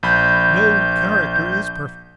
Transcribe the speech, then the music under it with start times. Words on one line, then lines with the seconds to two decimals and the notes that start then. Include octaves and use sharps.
No character is perfect.
0.03 A#1 B5 G6